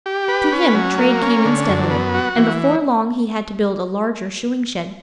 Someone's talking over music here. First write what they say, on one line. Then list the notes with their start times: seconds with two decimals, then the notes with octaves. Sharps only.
To him trade came in steadily, and before long he had to build a larger shoeing-shed.
0.06 G4
0.28 B4
0.52 C#4
0.75 F#3
0.98 A#3
1.22 C#4
1.45 D3
1.68 F#2
1.90 B3
2.14 F#4
2.37 E3